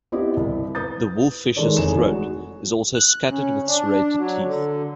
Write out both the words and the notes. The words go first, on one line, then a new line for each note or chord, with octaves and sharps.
The wolffish's throat is also scattered with serrated teeth.
B3 C4 E4 G4 D#5
C2
B4 D#6 G6 A6
D#3 G#3 A4 C#5 D5
F1 E3 D#4 C#5 G#5 E7
G#3 F#4
F#6
C#3
D4
F#3
D3